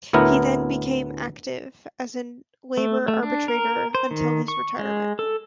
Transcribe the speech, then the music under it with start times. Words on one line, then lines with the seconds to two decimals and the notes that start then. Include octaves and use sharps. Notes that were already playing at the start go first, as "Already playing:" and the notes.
He then became active as a labour arbitrator until his retirement.
0.13 D2 A2 B3 E4 A#4
2.77 A3
3.08 A3
3.23 D4
3.48 A#4
3.95 C5
4.11 D#3
4.48 C#6
4.79 G#3
5.19 A4